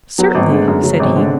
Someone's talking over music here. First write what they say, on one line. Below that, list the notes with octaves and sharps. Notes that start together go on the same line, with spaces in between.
"Certainly," said he.
F#3 B3 B4
G#1 A3 A4
D3 G#3 G#4
F#2
C#3 F#3 C#4
G#1
C3 C4
D3